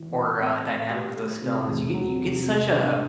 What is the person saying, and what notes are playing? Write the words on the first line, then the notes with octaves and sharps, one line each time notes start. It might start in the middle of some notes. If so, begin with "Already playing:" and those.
or uh, dynamic with those films. You get you get such, uh,
Already playing: E3
E3
C4
A3
G4
A3
C3
E2
F#3
C3
C3
D4